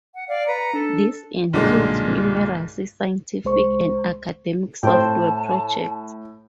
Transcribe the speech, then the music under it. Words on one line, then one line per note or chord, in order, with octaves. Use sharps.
This includes numerous scientific and academic software projects.
F#5
D5 F5
B4 A#5 C#7
D4 A4
B1 G2 A#2 D3 G#3 A#3
C2 G#3 C5 C#6
A2 C5 G5 A5